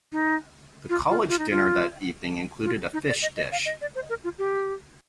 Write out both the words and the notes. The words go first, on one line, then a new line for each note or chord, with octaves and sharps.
The college dinner that evening included a fish dish.
D#4
F4
F4
F4
D#4
F4
F4
D#4
D5
D#5
D#5
F5
D#5
D5
C5
A#4
F4
G4